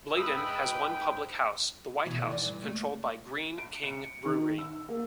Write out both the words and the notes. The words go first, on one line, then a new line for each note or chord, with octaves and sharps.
Bladon has one public house, the White House, controlled by Greene King Brewery.
G#2 B4 G5 D#6 E6
B2 E3 E4
D3 D#3
E3 D5
G2
A3
D7
C#7
D#3
E6
A#3